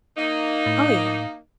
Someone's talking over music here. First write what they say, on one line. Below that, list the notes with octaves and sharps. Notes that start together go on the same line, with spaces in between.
Oh, yeah.
A#3 D#4
A2